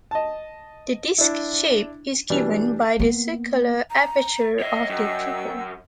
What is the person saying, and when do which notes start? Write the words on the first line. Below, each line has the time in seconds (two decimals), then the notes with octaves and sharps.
The disk shape is given by the circular aperture of the pupil.
0.11 D#5 A5
1.18 D4 E4
2.30 B2 E3 G3 D4
3.00 A#3 B3
3.90 A#5
4.60 C#5 D#5 E5
4.90 F#2 F#5 G5 E6